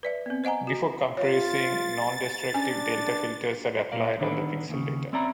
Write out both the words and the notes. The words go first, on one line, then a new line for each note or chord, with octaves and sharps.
Before compressing, non-destructive delta filters are applied on the pixel data.
B4 D5 E5
B3 C4
C5 D#5 F#5 G#5 A#5
F#4
F4 C#5 A6
C#4 D4 G#5
A#2 A#4 D5 F5
D3 D#3 B3 D4 B4
D#2 A2 C#3
C4 C#4 D5 E5 A#5 B5